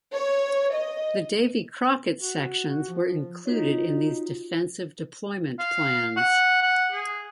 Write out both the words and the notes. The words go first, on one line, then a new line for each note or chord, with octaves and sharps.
The Davy Crockett sections were included in these defensive deployment plans.
C#5
D#5
F#4
F3
D#4 F4 F#4 C#5
F5
F#5
F#5
G#4